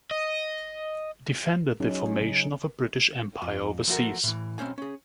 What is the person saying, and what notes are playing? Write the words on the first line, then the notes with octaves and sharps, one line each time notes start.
Defended the formation of a British Empire overseas.
D#5
F#3 C#4 D#4 G#4
C#3
F2
F3 A3 F#4 A#4
A2 E3
B1 C4 C#4 C5 G#5
C#4 G#4